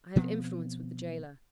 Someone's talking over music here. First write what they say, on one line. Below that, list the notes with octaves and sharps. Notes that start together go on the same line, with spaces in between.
I have influence with the gaoler.
B2 F3 B3 C4